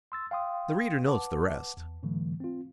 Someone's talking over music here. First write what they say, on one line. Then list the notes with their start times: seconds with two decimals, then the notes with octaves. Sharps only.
The reader knows the rest.
0.12 C6 E6 A6
0.31 F5 G5 C6 D#6
1.07 B4 F#5 A5 D6
1.77 E2
2.03 G#2 D3 E3 F#3 A3
2.40 C4 F4